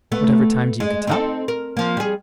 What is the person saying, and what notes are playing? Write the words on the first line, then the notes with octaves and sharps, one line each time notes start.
"Whatever time do you get up?"
A3 B3
G#3
C4 D#4 A4
A#4
F3 A#3
G3 G#4